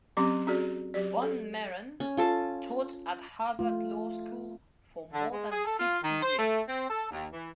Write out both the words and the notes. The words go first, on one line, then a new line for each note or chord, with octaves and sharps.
Von Mehren taught at Harvard Law School for more than fifty years.
F#3 C4 C#4 G4 C6
C#4 F#4 G#4 D5
F#3 G4 D5
A4
C#4
F4 A4 A5
A3 F4
D3
G#3
G#4
A4
F4
D#3
C5
A3
C4
A4
D#2
E3